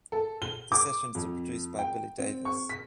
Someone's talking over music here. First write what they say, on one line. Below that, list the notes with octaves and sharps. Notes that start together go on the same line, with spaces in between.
The sessions were produced by Billy Davis.
A4
G7
D6
F2
G5
C4
C#6
B6